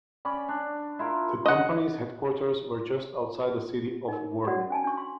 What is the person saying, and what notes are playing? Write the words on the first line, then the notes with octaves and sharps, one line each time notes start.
The company's headquarters were just outside the city of Woerden.
C#4 D5 B5
D4
E4 F4 A#4
D#5 F#5
D#4 A#4
F#4 C#5 D5 F#5
C#4 G#5 A5
D4 C#6
C6